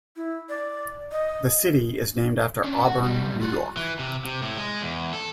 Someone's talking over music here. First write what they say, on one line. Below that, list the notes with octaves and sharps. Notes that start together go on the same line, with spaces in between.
The city is named after Auburn, New York.
E4
D5
D#5
C#4 D4
F#4 F#5
B1 G3
F4 F#4
E3
C3
C3
A2
G#3
E2
A4